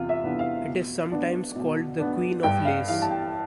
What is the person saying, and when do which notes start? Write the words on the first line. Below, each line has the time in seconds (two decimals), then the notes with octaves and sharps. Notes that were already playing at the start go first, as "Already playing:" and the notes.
It is sometimes called the Queen of lace.
Already playing: E2 C3 F4
0.09 E5
0.24 C3 E3 B3 D4
0.39 F5
0.68 B2
1.12 B3 D4
1.56 B2
1.99 B3 D4
2.43 G2 G5
2.65 F5
2.88 E3 G3 F5
3.02 A5
3.10 G5